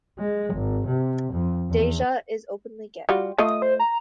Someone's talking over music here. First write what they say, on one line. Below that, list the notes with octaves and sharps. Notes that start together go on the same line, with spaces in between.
Deja is openly gay.
G#3
G#1
C3
F2
E2
G3 F4 F#4
A3 F4 D#5 D#6
C5
A#5